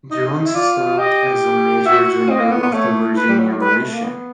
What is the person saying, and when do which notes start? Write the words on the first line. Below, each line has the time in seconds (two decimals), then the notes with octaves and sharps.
Jones served as a major general of the Virginia militia.
0.11 D#4 D#5
0.46 E4
0.55 F4 D5
0.98 G4 D#5
1.86 F#4 E5
2.30 C4 D#5
2.40 A#3
2.52 B3
2.63 B3
2.74 A3 C#5
3.17 B4
3.29 G3
3.40 F#3
3.50 F#3
3.61 G3 B4
3.72 G#3
3.82 A3
3.94 A#3
4.04 B3